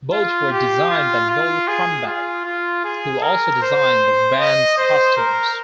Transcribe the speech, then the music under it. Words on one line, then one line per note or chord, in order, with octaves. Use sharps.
Both were designed by Noel Crombie, who also designed the band's costumes.
F4
G4
F4
F4
G#4
F4
F4
G#4
A#4
C5
D#5
C5
A#4